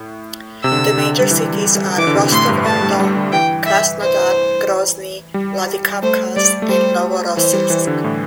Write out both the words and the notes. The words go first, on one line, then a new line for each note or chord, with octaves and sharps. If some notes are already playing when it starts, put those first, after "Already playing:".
The major cities are Rostov-on-Don, Krasnodar, Grozny, Vladikavkaz, and Novorossiysk.
Already playing: A2
C3 E6
D3
C3
D3
G3
E3
G3
G3
E3 D6
D3
C3
A2 C6
G2
A3 A5
G3
G3
D3
E3 G5
E5
C5
G3
A3 C5
G3 D5
A3
G3 C5
E3 C5
G3
E3
D3
A2